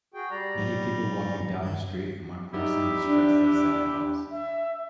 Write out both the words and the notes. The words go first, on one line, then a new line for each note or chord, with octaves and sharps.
Many people walking down a street and one person is dressed as Santa Claus.
F#4 G#4 G5
G3 D5 A#5
G#2 F#3
G2 D#3
G3 D#4 E4 G4
D4
E5